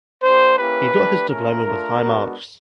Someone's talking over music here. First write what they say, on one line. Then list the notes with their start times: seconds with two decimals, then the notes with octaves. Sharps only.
He got his diploma with high marks.
0.23 A#3 D4 G4 C5
0.58 A#3 C#4 E4 G4 B4
0.94 A3 D4 G4
1.29 A3 C#4 F4 A#4
1.65 A3 D4 F4
2.01 G#3 B3 D4 F#4